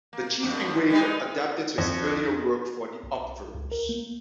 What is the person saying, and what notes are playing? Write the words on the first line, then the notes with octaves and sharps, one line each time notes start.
The chief engraver adapted his earlier work for the obverse.
A#3
F#2 F3
G3 G#3 D#4
F2
B1
C#2
A#4
A#3